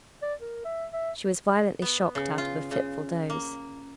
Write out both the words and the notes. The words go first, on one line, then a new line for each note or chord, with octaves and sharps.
She was violently shocked out of a fitful doze.
D5
A#4
E5
E5
B3
C#3
F4
C#3
A#3